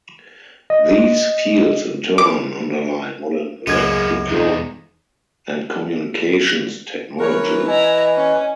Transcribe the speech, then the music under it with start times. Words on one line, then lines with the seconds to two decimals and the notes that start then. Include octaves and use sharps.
These fields in turn underlie modern electrical and communications technologies.
0.70 D#5
2.18 D6
3.67 C#2 F#2 G#3 A#3 B3 G#4 G#6
4.29 E2 G#3 D#4
7.20 E3 A#4 B4 C#5
7.68 E4 D#5 G#5 A#5
8.16 C#4